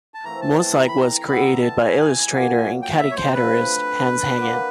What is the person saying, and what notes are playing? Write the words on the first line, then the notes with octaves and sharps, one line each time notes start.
"Mosaik" was created by illustrator and caricaturist Hannes Hegen.
A5
E3 A3 C4 A#5
A5
A5
A#5
B5
A#5
G3 B3 E4 B5
A#5
A5
G#5
A#2 F#3 A#3
G5
E5
C#5
C5
D3 F3 A3 C4 B4
F#3 A#3 D4